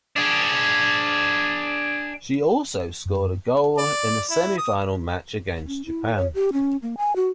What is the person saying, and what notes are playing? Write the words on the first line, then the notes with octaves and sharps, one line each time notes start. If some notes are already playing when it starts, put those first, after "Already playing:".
She also scored a goal in the semifinal match against Japan.
D4 G#4
F#2
D5
E4
D#6
C#4
E4
C#5
G4
C#4
A#3
G#5
F#4